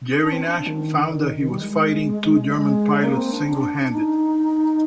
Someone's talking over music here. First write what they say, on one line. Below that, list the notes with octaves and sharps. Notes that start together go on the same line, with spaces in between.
Gerry Nash found that he was fighting two German pilots single-handed.
D4
C4
D4
D#3
D3
D#3
D#3
G3
G#3
G3
G#3
A#3
C4
D4
D4
D4
D#4